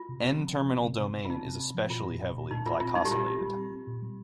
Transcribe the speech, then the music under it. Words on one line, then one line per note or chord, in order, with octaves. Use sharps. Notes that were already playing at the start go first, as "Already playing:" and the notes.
N-terminal domain is especially heavily glycosylated.
Already playing: F4
C3
C4
F3
C3
C4
C3
C3
C3
F4
C4 D#4
C3
C4
F3
A#2 F4
A#2
A#2
A#2
A#2 D#4
A#2 F4
C4 F4
G3 D#4
G4
A#2 F4
C4
G3
C4
C4
A#2
G3